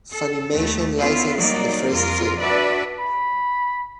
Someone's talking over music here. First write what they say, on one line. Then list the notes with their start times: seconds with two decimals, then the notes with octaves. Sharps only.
Funimation licensed the first film.
0.12 A4
0.54 D#2 A3
0.97 B3 C#4 E4 F4
1.36 F#3 G3 A#3 D#4 D5
1.92 F2 F4 A#4
2.41 D4 F#4 B4 D5 E5
2.99 B5